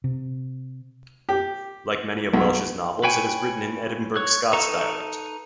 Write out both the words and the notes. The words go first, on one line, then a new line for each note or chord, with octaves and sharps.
Like many of Welsh's novels, it is written in Edinburgh Scots dialect.
C3
G4
B1
B4 C#5 G5 G#5
C#5 F#6
D#4 A4 B4 A#5 C#6